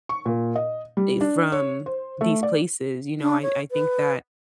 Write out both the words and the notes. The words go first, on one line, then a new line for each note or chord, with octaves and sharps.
eh, from these places, you know, I I think that
C#6
A#2
D#5
G3
D4
C#5
C5
A3
D5
D4
C#5
B4